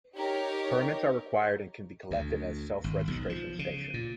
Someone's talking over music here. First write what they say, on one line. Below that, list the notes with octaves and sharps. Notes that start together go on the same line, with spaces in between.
Permits are required and can be collected at a self-registration station.
D#4 G4 A#4 C#5
D2
G#1
B1
F3
C#3
A#2